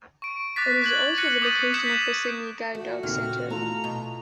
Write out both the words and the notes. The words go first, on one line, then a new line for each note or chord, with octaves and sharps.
It is also the location of the Sydney Guide Dog Centre.
C#6 D7
D6 F#6 A6 B6
F#6 G#6 F#7
F#6 A6 A#6 C#7 D#7
D6 D#6 G6 A6 C#7 D#7
D#6 F#6 G6 B6 C#7 E7
A3 F#4
D#2 A#2 C#3 C4 F6
A3 E4 F4 A4 A#5
B2